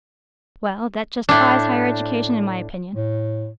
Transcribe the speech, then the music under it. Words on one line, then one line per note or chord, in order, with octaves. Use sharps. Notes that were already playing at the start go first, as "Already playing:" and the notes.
Well, that justifies higher education in my opinion.
A2 D4
A2